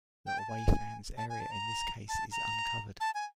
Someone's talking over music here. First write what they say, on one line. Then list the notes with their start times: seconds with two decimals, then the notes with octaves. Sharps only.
The away fans' area in this case is uncovered.
0.26 G5
0.39 A5
0.49 G#5
1.17 A5
1.30 G#5
1.41 A5
1.51 A#5
2.09 A5
2.32 A#5
3.00 A5
3.14 G#5